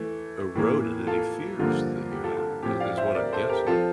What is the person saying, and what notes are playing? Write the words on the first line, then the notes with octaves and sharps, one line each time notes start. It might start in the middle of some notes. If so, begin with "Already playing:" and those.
eroded any fears that you had i is what I'm guessing.
Already playing: E3 A3
A2 E3 A#3
F4 A4
G2 D3 F3 A#3 F4
G4
F4 A4
F4 A4
A2 F3 C4 G4
D5 F5
C5 E5
A#4 D5
A4 C5
G4 A#4
F3 C4 F4 A4